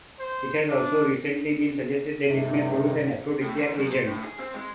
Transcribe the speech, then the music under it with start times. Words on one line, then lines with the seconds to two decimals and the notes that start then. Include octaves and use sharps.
It has also recently been suggested that it may produce an aphrodisiac agent.
0.20 C5
0.69 D4
2.30 G2 C3 A3 D#4
3.42 A2
3.57 G#2
3.78 F#2
3.92 C5
4.07 A2
4.24 G#4
4.39 C4
4.54 G#3